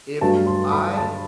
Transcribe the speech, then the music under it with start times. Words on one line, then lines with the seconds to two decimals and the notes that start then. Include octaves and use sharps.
If I
0.21 G2 F#3 A3 A5
0.47 C6
0.72 B5
0.97 A5